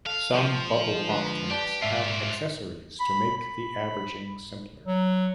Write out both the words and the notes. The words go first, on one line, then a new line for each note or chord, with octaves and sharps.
Some bubble octants have accessories to make the averaging simpler.
A4 F5
F3
D3 G#3 B4
G4 B4 D5 A5
G#2 F4 G4 E5
B5
B5
F#3